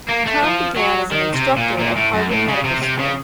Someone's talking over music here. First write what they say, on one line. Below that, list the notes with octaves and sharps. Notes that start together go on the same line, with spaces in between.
Kahn began as an instructor at Harvard Medical School.
A#3
A3
F3
F#3
D#3
C3
A#2
A#2
A2
F#2
A2
C#3
C3
C3
C#3